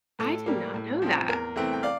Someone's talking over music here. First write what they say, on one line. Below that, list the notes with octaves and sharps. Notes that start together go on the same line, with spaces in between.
I did not know that.
A2 A4
G3 A#3
A2
F3 C4
E2 A#4
E3 A3 C4
G5
D5 F5